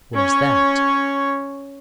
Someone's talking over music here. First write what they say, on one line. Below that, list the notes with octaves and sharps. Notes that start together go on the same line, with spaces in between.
"Where's that?"
C#4 C#5